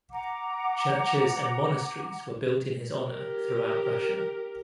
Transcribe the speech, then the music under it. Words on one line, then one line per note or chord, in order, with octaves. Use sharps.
Churches and monasteries were built in his honor throughout Russia.
F#5 A#5 D6
G4 A#4